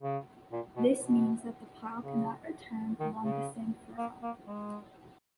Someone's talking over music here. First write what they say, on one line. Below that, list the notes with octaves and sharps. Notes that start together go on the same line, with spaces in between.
This means that the plough cannot return along the same furrow.
C#3
A#2
B2
B2
C#3
D#3
C#3
A#3
A#3
G#3